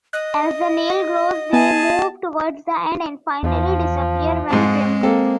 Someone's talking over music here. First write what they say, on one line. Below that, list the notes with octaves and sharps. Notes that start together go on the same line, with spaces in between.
As the nail grows they move towards the end, and finally disappear when trimmed.
D#5 F#6
B3 G#4 G#5 A5
E2 F3
F2 G#2 G#3
A#3 C4 A4